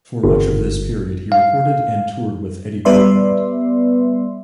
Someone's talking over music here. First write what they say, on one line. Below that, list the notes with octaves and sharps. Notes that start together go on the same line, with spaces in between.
For much of this period he recorded and toured with Eddie Kirkland.
G1
F5
G3 B3 B4 D5 E5 C6